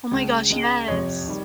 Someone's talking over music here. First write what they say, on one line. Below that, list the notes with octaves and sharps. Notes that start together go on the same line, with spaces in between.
Oh my gosh, yes.
C#2 C#3 G#3
C#2 C#3 G#3
F2 C3 F3 C#5
D#3 G3